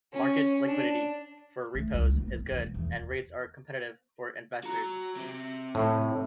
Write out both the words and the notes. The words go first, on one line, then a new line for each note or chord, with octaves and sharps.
Market liquidity for repos is good, and rates are competitive for investors.
C#4
D4
A3
C#2
B3
G#1
E1
E2
F#4 A#5
C4 G4
A2